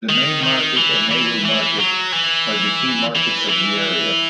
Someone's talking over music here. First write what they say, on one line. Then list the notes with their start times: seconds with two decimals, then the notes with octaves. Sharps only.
The Main Market and Nehru Market are the key markets of the area.
0.09 D#3
0.43 D#3
0.77 E3
1.11 E3
1.45 E3
1.80 F#3
2.13 E3
3.15 E3
3.49 E3